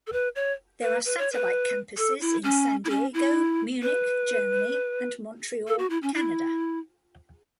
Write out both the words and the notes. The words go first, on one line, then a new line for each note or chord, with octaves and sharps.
There are satellite campuses in San Diego, Munich, Germany and Montreal, Canada.
A4
B4
C#5
B4
B4
C#5
B4
A4
E4
C#4
E4
C#4
E4
B4
A4
F#4
E4
C#4
E4